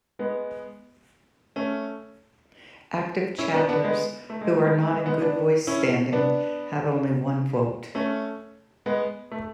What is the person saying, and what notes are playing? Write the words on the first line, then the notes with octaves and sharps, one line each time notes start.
Active chapters who are not in good standing have only one vote.
G#3 B3
A3 C#4
C#4 E4
B3 D4
B3 D4
G#3 B3
A3
G#3
A3
G#3 B3
A3
G#3 B3
G#3 B3
B3 D4
C#4 E4
B3 D4
A3 C#4
G#3 B3
A3